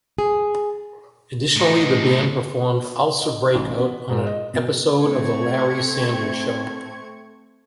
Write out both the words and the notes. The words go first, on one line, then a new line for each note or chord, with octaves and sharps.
Additionally, the band performed "Ulcer Breakout" on an episode of "The Larry Sanders Show".
G#4
A2 D#4
D#5
A1
B3
G#2
D#5
B2
A3 C4 C#6 G#6